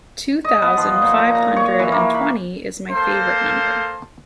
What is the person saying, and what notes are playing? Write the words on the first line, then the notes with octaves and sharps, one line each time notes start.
Two thousand five hundred and twenty is my favorite number.
D#5
B3
F3
A#2
A#5
A#5
C#5
E3
A#3
B5
A#3 A4 C5 C6